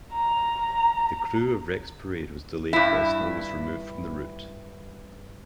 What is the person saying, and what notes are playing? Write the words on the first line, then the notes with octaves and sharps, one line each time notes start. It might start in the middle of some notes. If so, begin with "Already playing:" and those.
The Krewe of Rex Parade was delayed while snow was removed from the route.
A#5
G2 E4